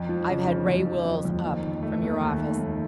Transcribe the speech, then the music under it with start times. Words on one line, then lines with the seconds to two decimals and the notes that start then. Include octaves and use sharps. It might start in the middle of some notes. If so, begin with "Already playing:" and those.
I've had Ray Wills up from your office.
Already playing: F2
0.09 F3
0.29 C#3
0.48 F3
0.67 F2
0.87 F3
1.05 F3
1.25 F2
1.44 D#2
1.63 D#3
1.83 A3
2.02 D#2
2.21 D#2
2.40 A3
2.59 D#2